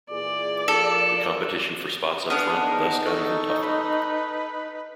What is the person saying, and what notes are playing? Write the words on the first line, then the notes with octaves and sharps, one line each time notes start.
The competition for spots up front thus got even tougher.
A#2 E3 G#4 D5
F3 A4 A#4
B3 D4 G#4 F6
D#4 A#4
A4 C#6
B4